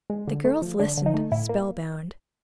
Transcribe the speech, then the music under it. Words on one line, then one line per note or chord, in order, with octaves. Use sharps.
The girls listened, spellbound.
G#3
D3
A3
F3
D3 D4
D3
D#4
A3
A2 E4
A#3